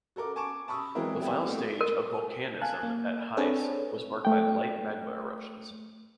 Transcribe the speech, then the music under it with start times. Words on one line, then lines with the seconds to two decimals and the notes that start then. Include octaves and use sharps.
The final stage of volcanism at Heise was marked by "light" magma eruptions.
0.16 F#4 A4 A#4 D6
0.36 G#5 A5 C#6 D6 D7 E7
0.68 A5 B5 C#6 D#6 E6
0.95 E3 F#3 G#3 C4 E4 A#4
1.20 F#3 G3 B3 C4 E4 G4
1.45 A3 A#3 C4 F#4
1.81 A#4
2.61 F5 G#5 A5 F#6 G#6
2.83 A#3
3.37 C4 D4 G#4 A4 B4 C#5
4.25 A3 G5